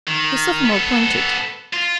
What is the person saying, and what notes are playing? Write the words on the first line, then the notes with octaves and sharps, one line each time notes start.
The sophomore pointed.
D#3
B3 A4
F4